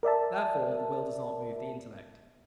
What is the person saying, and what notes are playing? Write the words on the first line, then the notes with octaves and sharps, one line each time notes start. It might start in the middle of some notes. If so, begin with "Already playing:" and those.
Therefore the will does not move the intellect.
A#4 D5 E5 A5